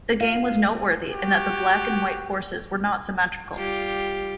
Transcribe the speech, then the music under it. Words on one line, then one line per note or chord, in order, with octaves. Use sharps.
The game was noteworthy in that the black and white forces were not symmetrical.
F5
F#4 G4
G3 F4 G4